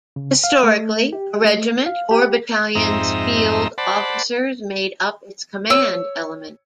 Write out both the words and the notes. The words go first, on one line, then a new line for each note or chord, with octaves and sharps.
Historically, a regiment or battalion's field officers made up its command element.
C#3
F5
A3
G4
A3
F5
G4
F2 G#2 C4 D#4 E5 A#5
C5 D5 F#5 A5 B5
C#5 E6